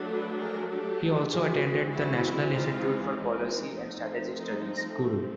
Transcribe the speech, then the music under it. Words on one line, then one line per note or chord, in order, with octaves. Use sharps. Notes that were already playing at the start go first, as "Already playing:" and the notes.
He also attended the National Institute for Policy and Strategic Studies, Kuru.
Already playing: F#3 A3 D4
A4 B4
G#4 A#4
G4 A4
E3 G#3 C4 F#4 G#4
E4 F#4
D#4 F4
D#4
F3 A3 C4
D#4